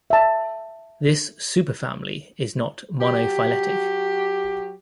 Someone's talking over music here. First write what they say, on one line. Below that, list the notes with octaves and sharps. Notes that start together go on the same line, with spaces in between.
This superfamily is not monophyletic.
E5 A5
F#3 G4